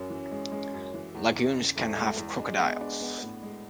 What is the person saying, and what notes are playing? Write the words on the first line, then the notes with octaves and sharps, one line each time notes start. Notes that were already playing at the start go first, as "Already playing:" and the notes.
Lagoons can have crocodiles.
Already playing: F#2 C#4
E3
G#3
G#3
F#2
E3
E2
E2
C#3
E2 A3
G#3
E2
G#3 D4
B3
D4
B3
A2
G#3